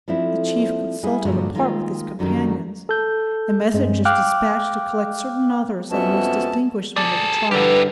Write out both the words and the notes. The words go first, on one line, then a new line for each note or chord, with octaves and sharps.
The chief consulted apart with his companions, and messengers despatched to collect certain others of the most distinguished men of the tribe.
F3 A3 C4 D4 E4
G3 G#3 E4 G#4
G2 A#2 D3 F3 F#3 G#3
D#3 G#3 A#3 F4
F#2 D3 D#3 F#3 G3
A4 G6
G2 G#3 C4
F5 G5 D6 F6 F#6
F2 B2 B3 C#4 E5 A5
G#4 A4 D5
G2 D3 E4 G4 B4